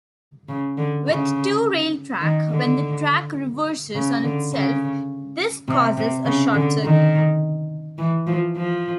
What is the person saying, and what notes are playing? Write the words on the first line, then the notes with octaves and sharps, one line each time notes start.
With two-rail track, when the track reverses on itself, this causes a short circuit.
C#3
D3
C#3
D#3
D3
C#3
D3
C#3
C3
C3
C#3
D3
D#3
E3
F3
F3